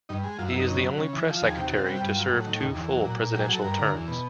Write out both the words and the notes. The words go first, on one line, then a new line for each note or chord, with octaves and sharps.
He is the only press secretary to serve two full presidential terms.
G2 D#4
G#3
F#2 F4
E4
F#2
D#4
C#3
F#3
C#3
E3
F3
F4
D#2
G#4
C3 G4
F#4
C3 F4
G3 F#4
G4
G2 F4
F#3
A2
D#3
D#2
E2
F#3
A#2
A#2
F#3 G4
G#4
F#3
A4
G2 A#4
D3
E2
B2